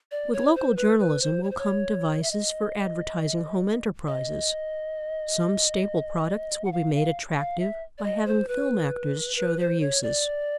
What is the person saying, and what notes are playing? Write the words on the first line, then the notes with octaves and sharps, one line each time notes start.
With local journalism will come devices for advertising home enterprises. Some staple products will be made attractive by having film-actors show their uses.
D5
C#5
C5
B4
B4
C5
C#5
C5
C#5
E5
D#5
D#5
F#5
F5
F5
F5
E5
D5
D#5
C5
B4
B4
C5
C#5
D5